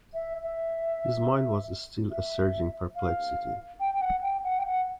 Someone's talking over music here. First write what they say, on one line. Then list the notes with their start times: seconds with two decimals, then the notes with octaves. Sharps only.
His mind was still a surging perplexity.
0.14 E5
0.43 E5
2.11 E5
2.96 F5
3.80 G5
3.95 G5
4.01 F#5
4.22 G5
4.44 F#5
4.59 G5
4.66 F#5